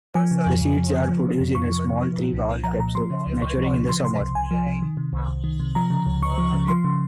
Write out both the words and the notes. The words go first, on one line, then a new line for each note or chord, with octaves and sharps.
The seeds are produced in a small, three-valved capsule, maturing in summer.
F3 G#5
C#3
F2
F2
F3
C#3
F3
C3
F2
F2 C#6
F3
C3
F3
A#2
C2
C2
F3 A#5
A#2 A#5
F3 C6
C#3
C#2
C#2 C#6
F3
C#3
F3 C6
C3 C6
C2
C2 G#5
F3
C3
D#3
C3
C2
C2
D#3
C3
F3 A#5
C#3
C#2
C#2 C#6
F3
C#3
F3 C6
C#3